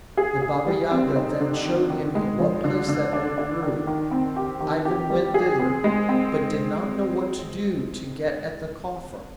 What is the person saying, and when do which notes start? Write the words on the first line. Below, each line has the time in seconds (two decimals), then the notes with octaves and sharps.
The Baba-Yaga then showed him in what place that oak grew: Ivan went thither, but did not know what to do to get at the coffer.
0.17 G#4
0.42 G#4
0.67 G3
0.91 C4
1.16 D#4
1.41 D3
1.65 D#3
1.90 D#3
2.15 G#3
2.39 F3
2.64 D3
2.88 D3
3.13 D4
3.38 D4
3.63 D#3
3.87 D#3
4.11 C4
4.36 G4
4.60 D#3
4.85 G4
5.10 G3
5.34 G#4
5.59 C4
5.84 G#3
6.09 C4